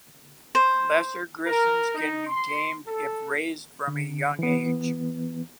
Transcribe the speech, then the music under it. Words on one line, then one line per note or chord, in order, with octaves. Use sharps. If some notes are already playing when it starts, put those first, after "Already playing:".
Lesser grisons can be tamed if raised from a young age.
C5
A#4
D#4
C6
A4
D3
E3 B3